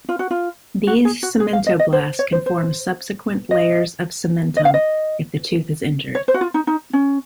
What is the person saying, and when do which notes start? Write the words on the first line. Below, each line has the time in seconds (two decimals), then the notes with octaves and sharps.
These cementoblasts can form subsequent layers of cementum if the tooth is injured.
0.09 F4
0.19 F#4
0.31 F4
0.87 F#4
1.05 G#4
1.23 F#4
1.40 G#4
1.53 F5
1.67 D#5
1.79 D#5
1.93 C5
2.19 C#5
2.32 C5
2.46 C5
3.51 D#5
4.57 D#5
4.65 F5
4.74 D#5
6.15 C#5
6.28 C5
6.34 F#4
6.41 F4
6.54 D#4
6.67 D#4
6.93 C#4